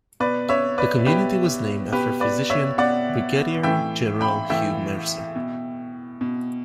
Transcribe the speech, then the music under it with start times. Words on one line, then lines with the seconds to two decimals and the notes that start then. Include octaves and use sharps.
The community was named after physician Brigadier General Hugh Mercer.
0.20 B2 B4 D5
0.49 C#5 E5
0.78 B4 D5
1.06 B2 G4 B4
1.92 B2 G4 B4
2.20 B4 D5
2.50 C#5 E5
2.78 B2 D5 F#5
3.63 A2 E3 E5 G5
4.21 G5 B5
4.50 A2 E3 E5 G5
5.35 B2
6.21 B2